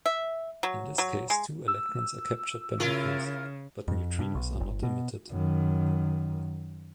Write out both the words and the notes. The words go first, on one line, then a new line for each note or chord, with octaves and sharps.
In this case, two electrons are captured by nucleus, but neutrinos are not emitted.
E5
F#3
F#3
G#3
E6
C#3 E4 F4 A#4
F2
G2
B1
G1
B2
F#2 D#3